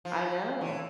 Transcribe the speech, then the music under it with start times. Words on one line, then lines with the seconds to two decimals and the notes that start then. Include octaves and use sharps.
I know.
0.05 F3
0.61 E3